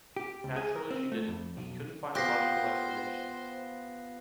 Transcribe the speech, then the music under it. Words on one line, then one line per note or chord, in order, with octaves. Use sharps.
Naturally she didn’t - she couldn’t find a logical explanation.
G4
C#2
G#4
A#4
C4
A3
F2
B1
B3 F4 G4 C5 F#6 A#6 C7